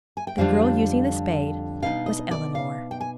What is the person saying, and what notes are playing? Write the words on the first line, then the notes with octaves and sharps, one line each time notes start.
The girl using the spade was Eleanor.
G#5
G5
F2 D3 G3 D4 F4 F5
B2 B3 D#4 F5
D#5
D5
F5
G5
G#5